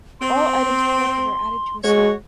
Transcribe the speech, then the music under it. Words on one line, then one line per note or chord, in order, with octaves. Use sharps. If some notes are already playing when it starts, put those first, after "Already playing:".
All items collected are added to a stock.
C4 C6
G#3 F#4 C#5